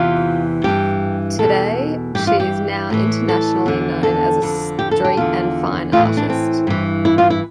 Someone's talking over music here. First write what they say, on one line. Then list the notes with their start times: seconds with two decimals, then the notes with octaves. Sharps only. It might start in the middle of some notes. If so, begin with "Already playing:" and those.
Today, she is now internationally known as a street and fine artist.
Already playing: E2 C3 E3 F4
0.64 G2 E3 G4
1.39 E2 B2 A4
2.15 G2 G4
2.19 E3
2.27 F4
2.40 G4
2.90 A2 E3
3.29 A4
3.66 E2 D3
4.03 A4
4.42 F2 D3
4.79 G4
4.91 A4
5.05 G4
5.17 E2 D3 F4
5.92 A2 E3 F4
6.05 E4
6.17 D4
6.30 C4
6.67 G2 E3
7.05 E4
7.18 F4
7.30 E4